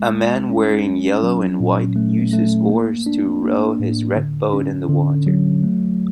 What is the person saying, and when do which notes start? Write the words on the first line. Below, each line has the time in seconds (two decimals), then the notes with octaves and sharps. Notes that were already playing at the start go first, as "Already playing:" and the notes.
A man wearing yellow and white uses oars to row his red boat in the water.
Already playing: G#3
0.13 G#3
0.50 C#4
0.87 C#4
1.23 F#3
1.60 A#2
1.96 A3
2.33 A3
2.70 A#3
3.06 D4
3.43 A#3
3.80 A2
4.16 D3
4.53 C#4
4.89 D3
5.27 F#3
5.64 A3